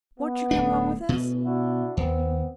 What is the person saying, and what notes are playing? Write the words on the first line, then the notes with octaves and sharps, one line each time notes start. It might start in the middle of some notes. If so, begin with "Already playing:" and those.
"Won't you come home with us?"
B3
D1 A3 D4
D2 B2 E3
D4 E4 F#4
D#2 B3 C4